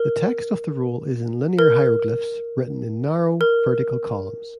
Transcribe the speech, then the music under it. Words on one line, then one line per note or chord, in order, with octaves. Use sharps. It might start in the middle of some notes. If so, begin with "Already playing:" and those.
The text of the roll is in linear hieroglyphs written in narrow, vertical columns.
Already playing: A#4
A#4
A#4